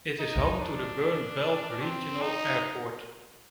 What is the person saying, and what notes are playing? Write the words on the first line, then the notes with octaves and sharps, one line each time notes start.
It is home to the Bern-Belp regional airport.
D#4
D4
C4
D#4